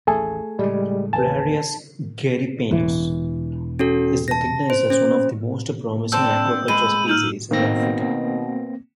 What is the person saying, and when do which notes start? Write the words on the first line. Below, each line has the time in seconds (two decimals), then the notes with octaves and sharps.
"Clarias gariepinus" is recognized as one of the most promising aquaculture species in Africa.
0.07 A1 D#2 A3 G#4 A4 G#5
0.59 A2 C#3 G3 G#3
1.13 A1 D#2 B4 G#5 A5
2.71 E1 E3
3.79 C#4 F#4 A4
4.28 A5 A#6
4.70 C5
4.90 C#4 C5
6.12 D3 C4 A5 E6 G6
6.68 G#3 B5 D#7
7.08 D#4 F6 G6 F#7
7.51 B2 D#3 A#3 C4 A#6